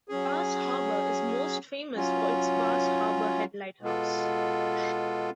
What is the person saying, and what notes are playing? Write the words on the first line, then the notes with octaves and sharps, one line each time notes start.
Bass Harbor is most famous for its Bass Harbor Head Lighthouse.
F#3 C#4 G#4
F#3 C#4 F4
B2 G#3 B3 F4 A4